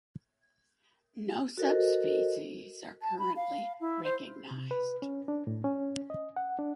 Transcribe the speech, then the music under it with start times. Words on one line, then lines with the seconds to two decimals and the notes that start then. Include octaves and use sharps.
No subspecies are currently recognised.
1.58 F#4 A4 A#4 C5 D#5
3.02 A5
3.19 B5
3.36 F5
3.80 E4
4.04 C5
4.51 C3
4.71 B4
5.02 C#4
5.28 D4
5.47 A2
5.64 C#4
6.10 D#5
6.36 F#5
6.59 D4